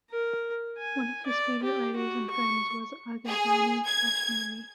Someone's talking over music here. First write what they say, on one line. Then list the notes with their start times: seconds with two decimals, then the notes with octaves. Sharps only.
One of his favourite writers and friends was Aghajani Kashmeri.
0.10 A#4
0.78 G#5
1.27 D5
1.63 G4
1.97 F#4
2.31 C#6
3.27 G#4
3.86 G#6